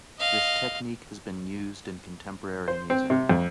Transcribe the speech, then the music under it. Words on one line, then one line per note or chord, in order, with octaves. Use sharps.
This technique has been used in contemporary music.
D#5 F5
C5
C4
C3
F2